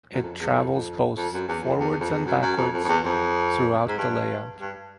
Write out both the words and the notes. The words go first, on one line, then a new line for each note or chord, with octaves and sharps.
It travels both forwards and backwards throughout the layout.
F#2
F2
E2
F2
F2
F2
F#2
E2
F2
E2
E2
F2
E2
F#2
F#2
F2
F2
F2
E2
F2
G#2
G2
G2